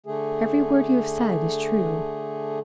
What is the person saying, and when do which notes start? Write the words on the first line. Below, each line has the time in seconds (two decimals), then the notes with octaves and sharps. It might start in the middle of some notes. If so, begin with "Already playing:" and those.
Every word you have said is true.
0.06 D3 A3 G#4